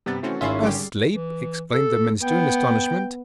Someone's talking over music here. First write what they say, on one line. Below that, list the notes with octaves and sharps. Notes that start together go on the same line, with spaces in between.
'Asleep!' exclaimed the minister in astonishment.
G2 C3 B3 A6
E3 A3 C4 C#4 F#4 C7 C#7
G#1 C#4 E4 F4 E5 G#5 C#6 C7
D3 G3 G#3 G4
E3
A4
B3 G5